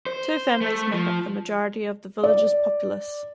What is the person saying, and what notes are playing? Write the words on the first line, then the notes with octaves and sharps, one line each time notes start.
Two families make up the majority of the villages populace.
C5
A3
F3
D5